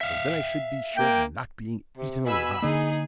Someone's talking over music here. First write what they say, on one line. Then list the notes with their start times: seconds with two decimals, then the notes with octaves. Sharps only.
"Because then I should be sure of not being eaten alive!"
0.01 E5 F5
0.96 A#3 G5
1.97 C3
2.26 B2 G#5 B5 E6
2.62 D3 A#3 D#4 G#4